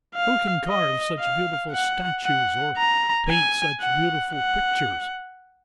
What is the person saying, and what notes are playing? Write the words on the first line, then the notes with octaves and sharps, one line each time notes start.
'Who can carve such beautiful statues, or paint such beautiful pictures?
F5
D#5
F5
F#5
F#5
A#5
G#5
F#5
F#5